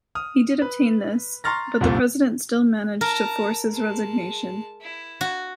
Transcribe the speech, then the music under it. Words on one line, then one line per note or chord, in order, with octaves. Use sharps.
He did obtain this, but the President still managed to force his resignation.
D#6 F6
B4
A#5 C6 C#6 F6 A6 A#6
C2 F2 A#2 A3
A#4 A5 A#5
G#3 A5
E4
F#4